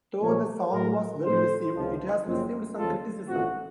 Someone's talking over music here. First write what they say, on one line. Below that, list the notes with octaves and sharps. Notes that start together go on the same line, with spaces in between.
Though the song was well-received, it has received some criticism.
A#2 F3 A#3 C#4
A2 F#3 A3 F#4 A#4
A2 F3 C4 D#4 A4 C5
C#2 C3 F3
F#1 F#2 F3 C4
D#2 C#3 F3 F4 A4
A1 A2 A3 C4 F4 F#4